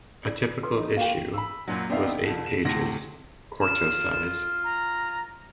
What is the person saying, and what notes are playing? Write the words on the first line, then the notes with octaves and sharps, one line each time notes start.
A typical issue was eight pages, quarto size.
E4 D5
A4 B4 C6
D#4
A#3 F#4 F5 G5
B5 E6
F#2 A#2 F#3
B3 C4 D4 D#4 E5 F5
C2 F2
E7
D2 A2 C3 A#6
F4 E7
A#5